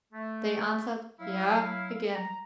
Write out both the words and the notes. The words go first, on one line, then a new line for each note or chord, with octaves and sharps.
They answered "yea" again.
A3
F#3 E4 F5
A#5